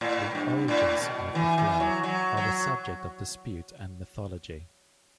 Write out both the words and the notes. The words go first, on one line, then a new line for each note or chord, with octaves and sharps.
The origins of the flag are the subject of dispute and mythology.
A2
G2
A2
B2
E3
E3
F#3
F#3
F#3